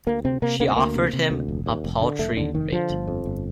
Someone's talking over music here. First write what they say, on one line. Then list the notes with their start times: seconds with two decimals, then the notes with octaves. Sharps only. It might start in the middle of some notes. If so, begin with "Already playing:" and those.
She offered him a paltry rate.
0.07 D2 A#3
0.25 C3 C4
0.42 C3 A#3
0.60 D2 A#3
0.68 C4
0.76 D2 A#3
0.95 C3
1.13 C3
1.31 D2
1.48 F1
1.66 D#2
1.84 F1
2.02 D3
2.19 F1 A3
2.37 D#2 D3
2.54 F1 D#3
2.72 D3 F3
2.90 G1
3.08 F2
3.25 G1